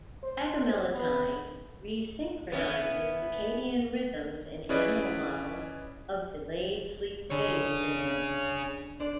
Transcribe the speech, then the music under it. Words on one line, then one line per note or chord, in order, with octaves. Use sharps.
Agomelatine resynchronises circadian rhythms in animal models of delayed sleep phase syndrome.
C5
B3
B3 C#4 E4
C#4 E4 G#4 B4 D5 D#5
D3 G#4 C#5
D4 C5 D5